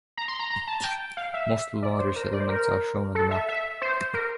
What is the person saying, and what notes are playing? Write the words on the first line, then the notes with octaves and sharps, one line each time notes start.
Most of the larger settlements are shown on the map.
A#5
C6
A#5
A#5
A5
G5
F5
E5
D5
C5
A#4
C5
D5
C5
A#4
A4
E5
E5
C5
A#4